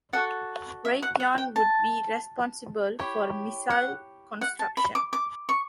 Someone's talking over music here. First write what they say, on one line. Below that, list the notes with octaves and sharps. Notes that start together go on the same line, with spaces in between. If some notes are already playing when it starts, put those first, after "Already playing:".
Raytheon would be responsible for missile construction.
F#4 A4 D5 F#5
E5
F#5
F#5
G5
A5
E4 G4 C#5
F#5
F#5
A5
B5
D6
D6
C#6